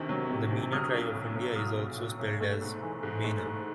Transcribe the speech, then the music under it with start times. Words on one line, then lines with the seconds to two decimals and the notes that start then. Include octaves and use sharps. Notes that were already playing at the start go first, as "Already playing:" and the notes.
The Meena tribe of India is also spelled as Mena.
Already playing: D2 C3 D#3
0.09 F#3
0.29 C3
0.51 D2
0.72 F#3 D#6 F6
0.94 B1
1.14 A2
1.36 B1
1.56 F#3 D#6 F6
1.77 B1
1.98 A2
2.19 B1
2.40 A3
2.62 G#2
2.82 E3
3.03 G#2
3.24 A3
3.45 G#2